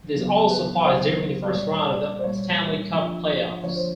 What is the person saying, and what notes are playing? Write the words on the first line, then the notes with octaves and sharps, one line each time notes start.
This also applies during the first round of the Stanley Cup playoffs.
C#2 C#3 F#3 B3 E4
B4
C#2 C#3 F#3 B3 E4 C5
D5
A#2 G3 A#3 C#5
D5
C5
A#2 G3 A#3 C#5
D3 F3 A#3 D4 F4
D3 F3 A#3 D4 F4 C#5
C5